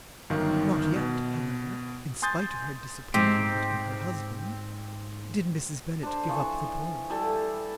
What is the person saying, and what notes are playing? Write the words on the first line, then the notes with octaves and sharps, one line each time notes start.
Not yet, however, in spite of her disappointment in her husband, did Mrs. Bennet give up the point.
G1 F#2 D#3 F5
B2
G#5 C6 D#6 G6 A6
G#2 C4 G4
D4 C5
E3 F3 C#6
G3 E4 A4